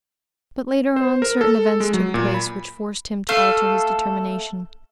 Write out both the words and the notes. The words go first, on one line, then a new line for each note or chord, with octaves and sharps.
But later on certain events took place which forced him to alter his determination.
C5
A#4
A4
G#3
F#3
A#2
B5
A3 A4 F5